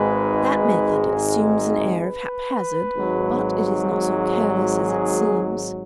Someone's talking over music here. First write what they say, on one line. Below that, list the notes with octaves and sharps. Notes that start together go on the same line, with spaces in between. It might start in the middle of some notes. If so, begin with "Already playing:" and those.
That method assumes an air of haphazard, but it is not so careless as it seems.
Already playing: G#1 G#2 G#3 B4
B4
G#1 G#2 F#3
G#4